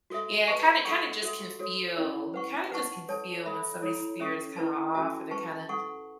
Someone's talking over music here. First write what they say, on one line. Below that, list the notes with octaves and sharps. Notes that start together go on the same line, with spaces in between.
Yeah, kinda kinda just can feel you kinda just can feel when somebody's spirit is kinda off, or they're kinda
F#4 A4 E5
B4 E5 A5 C#6
A4 F#5 C#6
F#4 A4 E5
F#4 A4 C#5
C#4 E4 C#5
B4 F#5 C#6
B4 F#5 A5 C#6
A4 C#5 A5
A4 E5 B5
E4 A4 C#5
C#4 A4 E5 C#6
E4 B4 A5
C#4 F#4 A4 E5 A5
B4 A5 C#6
A4 F#5 C#6